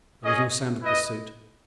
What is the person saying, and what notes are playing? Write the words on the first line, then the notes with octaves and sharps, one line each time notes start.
There was no sound of pursuit.
C#4 G#4 D#5
E4 B4 D#5